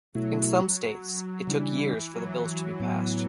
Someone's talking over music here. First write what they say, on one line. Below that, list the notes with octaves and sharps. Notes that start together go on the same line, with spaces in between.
In some states, it took years for the bills to be passed.
B2 F#3 A3 E4
C#3 E3 G3 D4
F#3
A2 F#3 B3